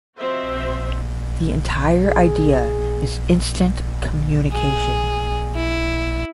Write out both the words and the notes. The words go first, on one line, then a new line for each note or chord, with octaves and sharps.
The entire idea is instant communication.
F3 C4 F#4 C5 D#5 E5
G#4
G#4
E4